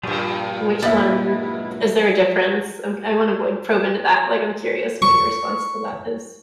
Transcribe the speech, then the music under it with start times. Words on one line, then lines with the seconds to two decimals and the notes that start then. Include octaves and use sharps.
Which one is there a difference? I’m g I wanna, like, probe into that; like, I'm curious what your response to that is.
0.03 G2 A#2 F3 G3 G#4
0.82 D#2 F#3 G#3 E4 E5 A6
5.02 C#6